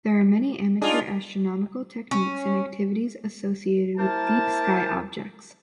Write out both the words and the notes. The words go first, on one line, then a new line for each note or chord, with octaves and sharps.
There are many amateur astronomical techniques and activities associated with deep-sky objects.
D4 D#4 F4 G#4
C#4
A#3 E4 A#4 C5 A5